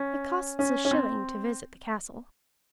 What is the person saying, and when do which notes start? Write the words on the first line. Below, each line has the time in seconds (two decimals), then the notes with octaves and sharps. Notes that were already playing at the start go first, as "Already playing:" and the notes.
It costs a shilling to visit the castle.
Already playing: C#4
0.59 C#4
0.85 C#4
0.91 C4